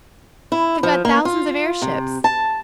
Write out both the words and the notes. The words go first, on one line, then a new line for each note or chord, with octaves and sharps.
They've got thousands of airships.
E4
F3
A#3
F4
C3
A5